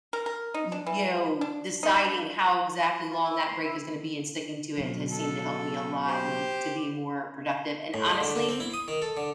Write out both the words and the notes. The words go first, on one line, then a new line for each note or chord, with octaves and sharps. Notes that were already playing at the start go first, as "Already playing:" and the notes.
l yo deciding how exactly long that break is gonna be and sticking to it, has seemed to help me a lot, and to be more productive, and honestly,
A#4
A#4
D#4
D4
E3
D4
D#4
D4
F4
E4
C6
E4
B2 F#3
A4
G4 C5
A2
G#3
D3
D3
C4
E4
D#6
D#3
A4
D3